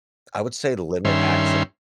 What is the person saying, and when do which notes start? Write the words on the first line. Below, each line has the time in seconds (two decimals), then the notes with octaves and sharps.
I would say to limit acce an
1.05 G2 D#3 C#4 E5 C6